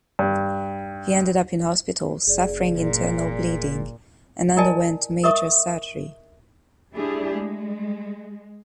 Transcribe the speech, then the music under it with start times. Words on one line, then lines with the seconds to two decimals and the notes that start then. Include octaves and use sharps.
He ended up in hospital suffering internal bleeding and underwent major surgery.
0.19 G2
2.27 F#1 G#4 D5
2.79 A#2
4.57 E4 A#4 D5 D#5 G#5 A5
5.23 A#4 D#5 E5 C#6 D#6
6.93 G3 A3 D4 E4 G4 G#4
7.35 G#3